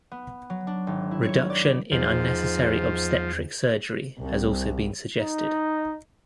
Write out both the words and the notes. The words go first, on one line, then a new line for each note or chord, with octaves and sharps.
Reduction in unnecessary obstetric surgery has also been suggested.
B3
F#3
D4
G#1
E4
C#5
D5
E2 G#2 F3
C2
D#4